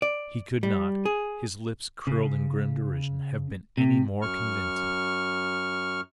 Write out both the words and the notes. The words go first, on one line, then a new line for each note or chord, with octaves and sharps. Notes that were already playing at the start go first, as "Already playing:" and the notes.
He could not--his lips curled in grim derision--have been any more convincing.
D5
G3
G#4
C#3
C3
F#2 C#6 F6